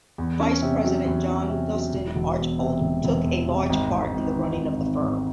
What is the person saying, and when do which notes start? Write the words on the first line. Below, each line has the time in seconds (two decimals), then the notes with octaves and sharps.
Vice-president John Dustin Archbold took a large part in the running of the firm.
0.18 E2
0.40 C#4
0.62 C3
0.84 F#3
1.06 E2
1.27 C#4
1.50 C3
1.72 F#3
1.94 E1
2.16 E1
2.38 E2
2.59 C3
2.81 E1
3.04 E1
3.25 E2
3.47 C3
3.70 G#1
3.91 G#1
4.13 G#2
4.35 D#3
4.57 G#1
4.78 G#1
5.01 G#2